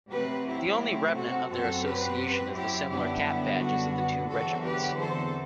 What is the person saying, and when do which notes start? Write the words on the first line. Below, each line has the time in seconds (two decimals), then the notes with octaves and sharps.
The only remnant of their association is the similar cap-badges of the two Regiments.
0.10 C3 F#3 A3 C4 G4 B4
0.45 E4 G4
1.15 F#4 A4
1.49 F#2 F#3 C4 F#4 A4
1.85 G4 B4
2.54 E4 G4
2.89 F#2 D3 G3 B3 D4 E4 G4
3.59 F#4
3.94 F#4
4.29 E2 D3 F#3 C4 F#4 A4
4.63 G4 B4
4.98 A4 C5